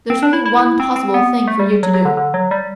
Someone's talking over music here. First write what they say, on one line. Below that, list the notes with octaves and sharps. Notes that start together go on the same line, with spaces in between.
There's only one possible thing for you to do.
C4
D4
E4
E4
C4
C4
B3
A3
G3
F#3
F#3
D3
D3
F#3
G3